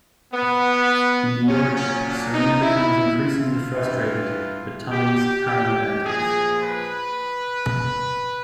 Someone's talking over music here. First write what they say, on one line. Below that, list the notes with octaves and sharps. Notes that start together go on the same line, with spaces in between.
In New York, Serena becomes increasingly frustrated with Tommy's paranoid antics.
B3
A#2 F#3 C#4
C#4
D4
D#4
E4
F4
G2 E3
G4
G4
A#2 F3 G#4
B4